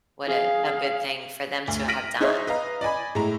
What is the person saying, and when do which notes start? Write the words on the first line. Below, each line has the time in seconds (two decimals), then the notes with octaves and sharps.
What a a good thing for them to have done."
0.25 G#4 F5
1.68 D2
1.88 F6 A#6 B6 D7 D#7 F#7
2.21 D#4 G#4 C5 C#5 D#5 E5
2.47 B4 D#5 F5 A#5
2.81 D5 D#5 G#5 B5
3.15 A2 G#3 E4 A#5